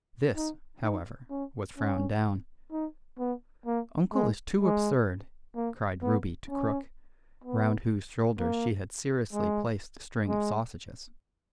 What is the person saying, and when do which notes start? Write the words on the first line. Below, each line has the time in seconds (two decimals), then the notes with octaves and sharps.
This, however, was frowned down. "Uncle is too absurd," cried Ruby to Crook, round whose shoulders she had seriously placed a string of sausages.
0.36 D#4
0.83 D#4
1.30 C#4
1.78 C#4
2.72 D#4
3.19 B3
3.66 A#3
4.13 G#3
4.62 G#3
5.56 A#3
6.02 B3
6.50 C#4
7.44 B3
8.39 A#3
9.33 G#3
10.28 G#3